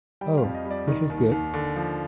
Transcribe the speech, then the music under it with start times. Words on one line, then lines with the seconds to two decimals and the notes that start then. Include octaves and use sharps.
Oh! This is good.
0.21 G3 G5
0.38 F5
0.44 F2
0.54 D#5
0.65 G3
0.71 D5
0.88 D#3
1.10 D#2
1.32 D#2
1.54 D3
1.76 F3